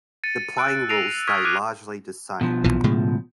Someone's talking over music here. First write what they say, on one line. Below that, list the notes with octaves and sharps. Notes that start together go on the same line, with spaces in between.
The playing rules stay largely the same.
A6 C#7 D#7
E6 F#6 D7
E6 A#6 C7 D7 D#7 F7
D#7
C#6 D#6 F6 G#6 B6
D6 F6 F#6 G#6 D7 D#7
B2 F3
B1 A#2 E3
A2 C#3 G#3